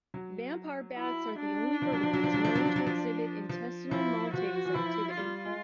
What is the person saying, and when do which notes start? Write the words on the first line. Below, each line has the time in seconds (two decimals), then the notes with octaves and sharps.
Vampire bats are the only vertebrates known to not exhibit intestinal maltase activity.
0.14 F#3
0.98 E4
1.40 D4
1.82 F3
1.92 F#3
2.03 F3
2.13 F#3
2.24 F3
2.34 F#3
2.45 F3
2.55 F#3
2.65 F3
2.76 F#3
2.87 F3
3.49 F3
3.91 F3 E4
4.34 F3 F#4
4.65 E3
4.75 F3 E4
5.17 G3 F4
5.45 G#3